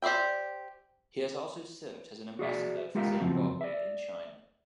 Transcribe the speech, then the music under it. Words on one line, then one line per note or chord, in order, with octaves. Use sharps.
He has also served as an ambassador for Zimbabwe in China.
G4 C5 D5 E5 G5
F#4 G#4 D5 E5
G#3 F4 G4 A#4 E5 F5
C#2 F#2 F3 C4 F#4
D5 E5